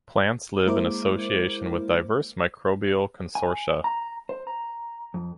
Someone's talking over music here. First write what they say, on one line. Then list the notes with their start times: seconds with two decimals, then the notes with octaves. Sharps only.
Plants live in association with diverse microbial consortia.
0.66 G#3 A#3 E4 A#4 C5 D6
3.35 G#5
3.84 A#5
4.29 C5
4.47 A#5
5.14 F2